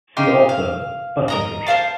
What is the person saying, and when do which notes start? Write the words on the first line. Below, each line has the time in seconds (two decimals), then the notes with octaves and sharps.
See also bus encryption.
0.17 D#4 G4 F5 C6
0.49 F5
1.28 A#4 D#5 A#5
1.67 C5 D5 F5 A5